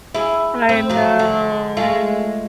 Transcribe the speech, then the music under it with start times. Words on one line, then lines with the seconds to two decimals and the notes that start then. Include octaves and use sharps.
I know.
0.15 E4 G#4
0.69 C4
0.89 F3 F#3
1.19 D3
1.77 G#3 A3 F4